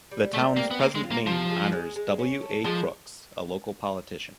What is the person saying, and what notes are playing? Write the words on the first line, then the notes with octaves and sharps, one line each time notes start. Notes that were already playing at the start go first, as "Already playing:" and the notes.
The town's present name honors W. A. Crooks, a local politician.
G3
G3 A3
A#3 C4
B3
A#3 C4
G#3
F4
A#3
C3 F3
G#3
G#3
G#3
C#4
A4
F3 G#3